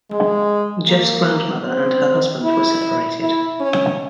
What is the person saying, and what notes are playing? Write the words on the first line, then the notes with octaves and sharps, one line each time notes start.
Jeff's grandmother and her husband were separated.
G#3
A#3
C4
E4
E4
C#4